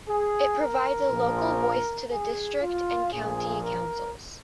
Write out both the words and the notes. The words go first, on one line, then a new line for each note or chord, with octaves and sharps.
It provides a local voice to the district and county councils.
G#4
A#4
A#1 A#2 F3
G#4
F4
A#1 A#2 F3 G#4
A#4